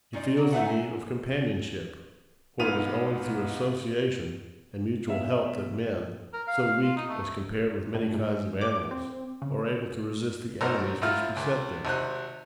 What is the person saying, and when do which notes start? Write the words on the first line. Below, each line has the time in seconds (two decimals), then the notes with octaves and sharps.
He feels the need of companionship, for it is only through association and mutual help that men, so weak as compared with many kinds of animals, are able to resist the enemies which beset them.
0.13 C#4 D#4 F4 D5 D#5
0.37 D3 F#3 A#4
0.52 A3 D#4 B4 E5 F#5
0.66 G#5
2.59 B1 G#2 B3 F4 D#7 F7
5.08 B3 E5 F5
6.34 A#4
6.47 F5
6.63 F5
6.82 F4
6.97 D#4
7.09 A3
7.94 A2
8.14 G#2
8.61 D6
8.91 C4
9.42 C#3
10.61 G#1 F#2 A#4 C5 F6
11.02 F#2 E4 F4 F6
11.36 C#2
11.85 G#1 C3 C5 F#6